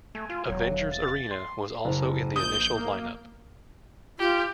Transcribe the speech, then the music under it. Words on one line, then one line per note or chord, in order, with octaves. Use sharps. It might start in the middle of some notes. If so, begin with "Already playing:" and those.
Avengers Arena was also in the initial lineup.
A3 G#5
F4
E1 F#3
A6
C6
F#1
A#1 D#6 G6
A#3
F4 G4